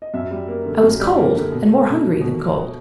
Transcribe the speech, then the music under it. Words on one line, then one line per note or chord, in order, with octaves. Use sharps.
I was cold and more hungry than cold.
D#5
F#2 E5
G3
A#3
D3
F#2
G3
A#3
D3
B2
A3
B2
F#3
B2